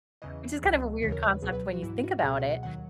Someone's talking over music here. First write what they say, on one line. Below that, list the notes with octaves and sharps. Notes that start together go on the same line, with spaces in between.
which is kind of a weird concept when you think about it.
E2 C#3 E3 D#5
C#2 B2 F#3
D#2 C#3 E3 C#5
A#4
B4
C#2 B2 F#3 G#4
B4
F#4
G#2 E3 E4
F#4
C#2 B2 F#3 G#4
F#5
F#5
D#2 D#3 F#3 F#5